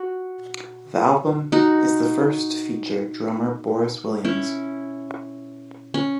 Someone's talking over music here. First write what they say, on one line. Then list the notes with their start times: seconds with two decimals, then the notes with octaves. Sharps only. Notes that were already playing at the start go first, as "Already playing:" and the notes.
The album is the first to feature drummer Boris Williams.
Already playing: F#4
1.52 D#4 F#4
4.25 C#4 E4
5.94 C#4